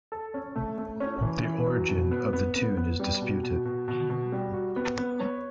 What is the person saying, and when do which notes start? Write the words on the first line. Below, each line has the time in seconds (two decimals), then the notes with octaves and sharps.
The origin of the tune is disputed.
0.12 A4
0.34 C#4
0.56 A3
0.78 A3
1.00 C#4
1.22 E3
1.44 E3
1.66 F#3
1.88 B2
2.11 B3
2.33 B3
2.55 B3
2.77 B3
3.00 G3
3.21 B2
3.43 B2
3.65 B2
3.88 B2
4.10 B2
4.32 G3
4.54 F#4
4.76 B3
4.98 B3
5.20 C#5